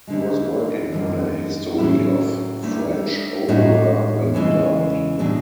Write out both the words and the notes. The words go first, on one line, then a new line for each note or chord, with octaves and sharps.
He was working on a history of French opera when he died.
D2 D3 G#3
F#2 D3 G#3
A2 F#3 C#4 E4
D2 D3 A3
A2 G#3 D4 F#4
E2 C#3 E3 G#3
A2 F#3 B3 D4 G#4